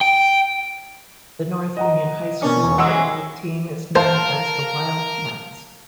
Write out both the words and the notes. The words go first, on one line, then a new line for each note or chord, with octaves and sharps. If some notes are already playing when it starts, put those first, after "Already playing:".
The North Union High School football team is known as the Wildcats.
G5
D#5 F#5 A#5
B2 A#3 C#4 D4
E1
E3 F#3 G#3 F#5 C6 E6
A#4 C5 F5 A5